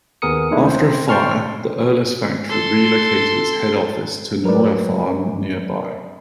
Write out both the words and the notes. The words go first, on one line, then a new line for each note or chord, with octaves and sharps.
After a fire, the Erlus factory relocated its head office to Neufahrn nearby.
D#2 B3 G#4 A#4 D#6 C#7
D#3 G#3 A3 D4 E4
C4 C5
G5 A5 C6 C#6 F6
A4 C6
F#3 A#4 B4 D5